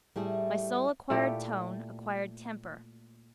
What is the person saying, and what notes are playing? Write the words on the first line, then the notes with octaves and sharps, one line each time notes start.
My soul acquired tone--acquired temper.
A2 G3 A3 E4 G#4
A#2 A3 E4 G4